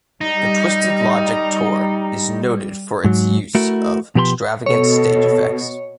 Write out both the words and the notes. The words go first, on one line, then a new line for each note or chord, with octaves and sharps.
The Twisted Logic Tour is noted for its use of extravagant stage effects.
G3 D#4
G#2 F#3
A3 E4 F#4 A#4
B2 F3 G4 B4 A#5 C6
B2 A4 C#5